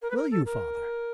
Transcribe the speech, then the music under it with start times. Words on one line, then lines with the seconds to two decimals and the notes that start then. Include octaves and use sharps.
'Will you, father?
0.02 A#4
0.10 B4
0.16 A#4
0.31 A4
0.45 A#4